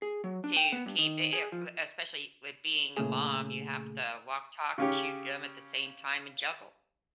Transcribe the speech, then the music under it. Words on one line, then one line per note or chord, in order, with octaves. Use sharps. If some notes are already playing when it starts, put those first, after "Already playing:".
to keep i it, uh, especially with being a mom, you have to walk, talk, chew gum at the same time and juggle.
G#4
F#3
D4
G5
B3
G2
D#3
G#4
F3
A#2 C#3 A3 G#4
C#3 C#4 G4